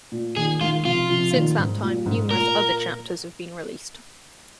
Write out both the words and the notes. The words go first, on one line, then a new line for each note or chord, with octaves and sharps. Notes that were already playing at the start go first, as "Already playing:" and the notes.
Since that time, numerous other chapters have been released.
A#2
A#2 D#3 G#4
D#3 G#3 F4
C3 F3 F4
C3 F3
A#2 D#3
G#2
A#2
G#2
A#2 A#4